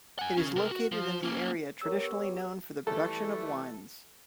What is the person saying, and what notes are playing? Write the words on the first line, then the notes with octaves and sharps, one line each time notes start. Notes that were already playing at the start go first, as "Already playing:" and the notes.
It is located in an area traditionally known for the production of wines.
F#5 G#5
C#3 C#4
C3 A#4
F#4
F3
A#3 C#4
B3 G4 A#4 C#5 E6
E3 G3 A3 A4